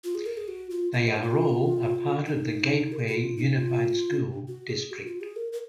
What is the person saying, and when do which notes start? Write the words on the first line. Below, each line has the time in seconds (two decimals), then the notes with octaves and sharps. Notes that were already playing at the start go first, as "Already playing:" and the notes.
They are all a part of the Gateway Unified School District.
0.04 F4
0.15 G#4
0.26 A#4
0.37 G#4
0.48 F#4
0.70 F4
0.93 F4
1.07 D#5
1.17 D#4
1.22 F4
2.26 D#4
2.92 A#4
2.99 G#4
3.07 F#4
3.14 F4
3.37 D#4
3.58 F4
4.48 F#4
4.69 G#4
4.91 F#4
5.07 F4
5.17 F#4
5.21 G#4
5.36 A#4
5.53 A#4